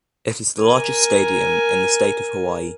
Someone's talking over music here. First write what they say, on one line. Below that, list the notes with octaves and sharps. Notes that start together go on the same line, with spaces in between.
It is the largest stadium in the state of Hawaii.
A#4 G#5